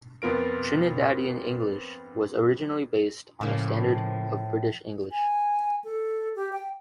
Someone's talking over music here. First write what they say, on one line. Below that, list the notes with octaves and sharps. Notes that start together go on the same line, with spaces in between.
Trinidadian English was originally based on a standard of British English.
F2 B3 F4 A#4 D7
A2 C#3 F3 A#3
G#5
A4
G4
G5